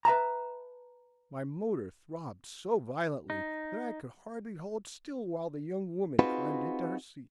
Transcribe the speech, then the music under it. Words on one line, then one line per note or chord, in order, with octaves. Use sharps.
My motor throbbed so violently that I could hardly hold still while the young woman climbed into her seat.
B4 E5 A5 A#5
D#4
C4 D#4 F4 F#4 G#4 B4